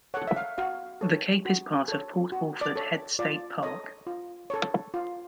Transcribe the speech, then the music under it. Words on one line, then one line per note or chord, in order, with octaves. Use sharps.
The cape is part of Port Orford Heads State Park.
A4 C#5 F#5
E5
F5
F#4 F5
A4 C#5
F#4
A4 C#5
F#4
D5
A4 C#5
F4 D5
A4 C#5 D#5
F4
A4 C#5
F4